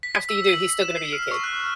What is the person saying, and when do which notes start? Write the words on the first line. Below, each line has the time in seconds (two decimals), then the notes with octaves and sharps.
After you do, he's still gonna be your kid.
0.03 B6
0.29 E6
0.53 F#7
0.81 E7
0.96 C7
1.13 F6
1.31 C#6
1.43 F#6
1.59 F6